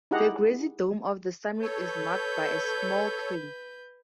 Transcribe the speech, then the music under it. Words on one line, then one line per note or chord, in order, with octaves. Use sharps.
The grassy dome of the summit is marked by a small cairn.
D#4 E4 G4 G#4 F#5 A#5
A4 B4 C#5 G6